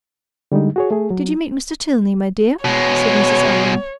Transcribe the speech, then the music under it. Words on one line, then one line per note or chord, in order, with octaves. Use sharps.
"Did you meet Mr. Tilney, my dear?" said Mrs. Allen.
D3 G3 G#3 D#4
F#4 G#4 C#5
A3 G#4
F#3
B2 G#3 C#5